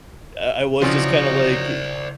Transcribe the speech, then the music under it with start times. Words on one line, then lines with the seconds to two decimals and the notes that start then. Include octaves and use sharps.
I I was just kinda like i
0.82 C#3 F3 F#3 C#4 D#4 E4 C5 D5